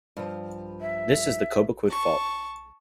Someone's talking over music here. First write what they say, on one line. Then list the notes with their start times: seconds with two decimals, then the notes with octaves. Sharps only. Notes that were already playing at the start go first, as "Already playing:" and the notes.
This is the Cobequid Fault.
0.17 G2 F3
0.81 E5
1.90 A5 C#6